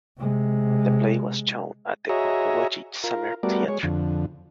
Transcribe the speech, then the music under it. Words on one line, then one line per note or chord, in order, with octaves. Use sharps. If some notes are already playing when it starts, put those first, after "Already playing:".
The play was shown at the Okoboji Summer Theatre.
C3 G#3
F#4 G#4 C#5 D#5 E5 A#5
F4 A#4
G3 A3 B3 F#4 A#4 D5
G#3 C#5
F2 D3